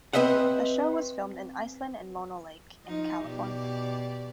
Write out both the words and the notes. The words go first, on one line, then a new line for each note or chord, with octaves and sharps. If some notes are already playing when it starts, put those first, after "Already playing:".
The show was filmed in Iceland and Mono Lake in California.
C4 B4 D#5 E5 F#5
F3 D#4
B2 G4 D5